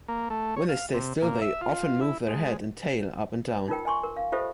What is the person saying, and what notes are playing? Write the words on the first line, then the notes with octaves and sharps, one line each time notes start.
When they stay still, they often move their head and tail up and down.
A#3
A3
C#5
F5
C3
A#2
E5
F4
E4
G#3
D#4 F4 A#4 G5
D#5 G#5 C6 C#6
A#4
F5
F4 G4 A4 C5 D#5 E5